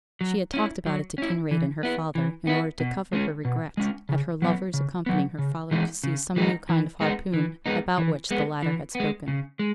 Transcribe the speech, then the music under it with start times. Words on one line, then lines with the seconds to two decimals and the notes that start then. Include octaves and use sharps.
She had talked about it to Kinraid and her father in order to cover her regret at her lover's accompanying her father to see some new kind of harpoon about which the latter had spoken.
0.21 F#3
0.54 C#4 E4
0.86 F#3
1.18 C#4 E4
1.51 E3
1.83 B3 E4
2.15 E3
2.47 B3 E4
2.80 B2
3.13 G#3 C#4
3.45 B2
3.77 G#3 C#4
4.09 C#3
4.42 F#3 B3
4.74 C#3
5.06 F#3 B3
5.39 C#3
5.71 E3 G#3 D#4
6.04 C#3
6.36 E3 G#3 D#4
6.69 E3
7.01 G#3 B3 D#4
7.34 E3
7.66 G#3 B3 D#4
7.98 E3
8.31 G#3 B3
8.63 E3
8.95 B3
9.00 G#3
9.28 C#3
9.59 G#3